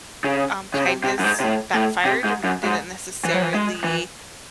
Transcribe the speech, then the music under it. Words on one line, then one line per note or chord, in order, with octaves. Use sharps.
um, kindness backfired and didn't necessarily
C#3
C#3
C3
C3
F#2
G#2
C3
A2
A2
C3
G#2
F#2
G#2
E3
F#3
E3
G#3
E3